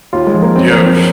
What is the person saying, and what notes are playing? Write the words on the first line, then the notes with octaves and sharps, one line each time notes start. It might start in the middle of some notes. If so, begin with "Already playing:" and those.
do you have
D#2 F4
G#3
F3
A#3
F#2 C4
A#3
F3
C4